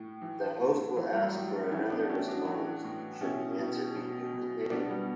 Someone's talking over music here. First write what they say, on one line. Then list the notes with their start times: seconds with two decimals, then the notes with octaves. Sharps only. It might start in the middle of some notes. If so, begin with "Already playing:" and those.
The host will ask for another response should an answer be duplicated.
Already playing: A2
0.21 E3
0.59 A2
0.96 E3
1.12 G3
1.21 F#3
1.34 A2
1.46 F#3
1.71 E3 C#4 E4
1.90 B3 D4
2.09 A2 C#4 E4
2.28 D4 F#4
2.47 E3
2.84 A2
3.21 B2 C#4 E4
3.58 B2
3.96 B2
4.33 B2
4.71 B2 B3 D4
4.90 G3 B3